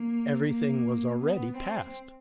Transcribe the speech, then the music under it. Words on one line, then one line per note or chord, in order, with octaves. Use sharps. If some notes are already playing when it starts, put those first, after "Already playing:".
Everything was already past.
Already playing: A#3
A#3
B3
C4